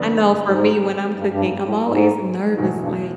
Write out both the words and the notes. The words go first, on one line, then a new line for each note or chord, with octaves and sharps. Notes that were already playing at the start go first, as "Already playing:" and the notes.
I know for me when I'm cooking I'm always nervous like,
Already playing: F2 D3 G3 B3
G#2
G2
G#2
G2
G2
G#2
A2
G#2
E2 G#2 B2 F#3 A3
G2